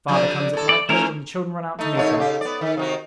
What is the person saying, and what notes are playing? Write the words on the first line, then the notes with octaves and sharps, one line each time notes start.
The father comes at nightfall, and the children run out to meet him.
D3 F3 G3
A2 A4
D5
D#3 A3 C#4 A#4
A3 D#4
D#2 A3 C#5
C#3 G4
B3 D5
D#3
C3 D#3 F#4